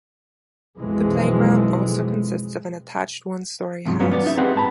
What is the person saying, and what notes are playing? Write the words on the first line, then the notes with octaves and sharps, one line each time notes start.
The playground also consists of an attached one-story house.
B1 F2 E3 G#3
E2 G#2 C3 F3 F#3
G2 F3 F#3 B3 C#4 F4
B3 C#4 D5
D#4 E5
C4 G4 G#4 B4 D#5 F#5
G#2 A5 B5